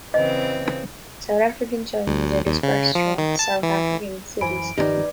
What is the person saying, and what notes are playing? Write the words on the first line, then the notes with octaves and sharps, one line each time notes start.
South African Chinese are dispersed throughout South African cities.
C#3 E3 C4 D#5
D2
D#2
C#3
F3
D#3
A5
E3
F#2 E3 C5 G#5 B5 D7
G1 D#3 F3 D#4 G4 B4 D5